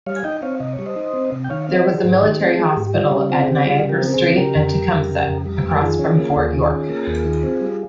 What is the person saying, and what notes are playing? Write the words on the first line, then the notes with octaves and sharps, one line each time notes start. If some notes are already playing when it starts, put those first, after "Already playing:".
There was a military hospital at Niagara Street and Tecumseh across from Fort York.
G3 C#5 F5
G#5
D#4 D#5 G5
C4 C#5 F5
C3 D#5
C#5
G3
C5 D#5
D#4
C4
C3
G5
D#3 C#5 F5
F5
C4
C5 D#5
G#3
G#4 C5
G#2
D#3 G4
C4
F4 G#4
G#3 F4
G4
G#2
G4
G3 F4
C#3 G4
C4 F4
G#4
C#3 G4
G3 F4 G#4
C#3
G4 A#4
C4
A#4
G#4 C5
C#3
C#3 G4 A#4
F2
G3
F2
C#3
F2
G3
F2
A#4
D#3 F4 G#4
C#4
A#3
D#2
D#3
C#4
A#3
D#2
D#3
C4
G3